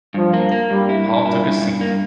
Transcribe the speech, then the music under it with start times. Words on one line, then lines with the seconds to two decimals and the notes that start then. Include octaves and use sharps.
Paul took a seat.
0.14 G2 F3
0.34 A#3
0.52 A#3
0.70 G2 G3
0.89 E4
1.07 G2
1.25 A#2 E4
1.44 G2
1.61 G2
1.81 A#3